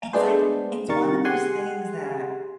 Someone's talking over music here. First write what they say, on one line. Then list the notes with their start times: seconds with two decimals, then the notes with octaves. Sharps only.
It's like it's one of those things that,
0.13 G#3 A3 B3 D4 G#4 C5
0.88 C3 D#3 G3 A#4 C#6 A6
1.24 G4 G#4 F#5 G#5 C6